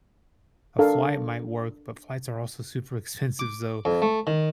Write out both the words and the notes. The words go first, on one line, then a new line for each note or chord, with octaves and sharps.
a flight might work, but flights are also super expensive, so,
D4 A4 A#4 F5
D6
F2
A3
D#3